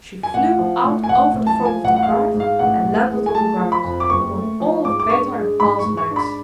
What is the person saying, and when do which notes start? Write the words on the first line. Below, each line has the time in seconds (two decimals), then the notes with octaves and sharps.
She flew out over the front of the cart and landed on the ground, among all of Peter and Paul's legs!
0.23 G#5
0.34 A1 F#5
0.59 F3
0.84 A2
1.04 G#5
1.08 A1 F#5
1.33 A1
1.47 A5
1.59 F3
1.65 G#5
1.84 A1 F#5
1.96 F#5
2.03 F5
2.09 G#3
2.34 G#2
2.40 F5
2.59 A1 F#5
2.84 A1
3.10 G#3
3.26 G#5
3.35 A3 A5
3.59 F3
3.72 B5
3.84 F2
4.00 D6
4.10 F#1 C#6
4.35 A3
4.60 F3
4.85 G#2 D6
5.00 D6
5.10 D4 C#6
5.35 G#3
5.60 G#2 B5
5.79 C#6
5.86 G#2
5.97 C#6
6.11 D4
6.16 B5